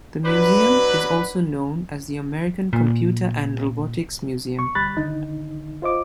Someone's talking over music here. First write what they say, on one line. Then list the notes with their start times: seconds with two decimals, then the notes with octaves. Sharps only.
The museum is also known as the American Computer and Robotics Museum.
0.25 F#3 D4 B4
2.73 A#2
4.59 B2 C#6
4.75 D2 G3 B5 F#6 A6
4.97 D3 D#3 D#4
5.82 F4 C5 D#5 D6